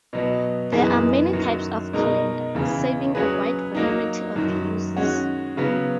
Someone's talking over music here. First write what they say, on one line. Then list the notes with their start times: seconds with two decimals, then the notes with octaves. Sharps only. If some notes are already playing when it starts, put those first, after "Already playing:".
There are many types of calendar, serving a wide variety of uses.
0.13 B2 F#3 B3
0.72 F#2 E3 B3 D#4 G#4
1.33 F#2 D#3 F#3
1.93 B2 G#3 D#4 A#4
2.55 E2 C#3 E3
3.15 F#3 C#4 G#4 B4
3.75 F#3 A#3 D#4
4.36 F#2 D#3 F#3
4.96 D#3 G#3 C#4 F#4
5.57 C#3 F#3 B3